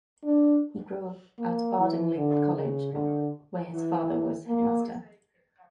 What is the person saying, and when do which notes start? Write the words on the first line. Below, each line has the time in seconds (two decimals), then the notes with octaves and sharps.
He grew up at Ardingly College, where his father was headmaster.
0.24 D4
1.39 A#3
1.78 E3
2.16 D3
2.55 C#3
2.93 D3
3.70 E3
4.47 A#3